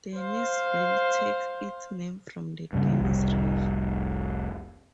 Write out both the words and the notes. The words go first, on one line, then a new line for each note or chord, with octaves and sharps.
Dennysville takes its name from the Dennys River.
C5 F5
C#2 G2 A#2 C#3
F1 C2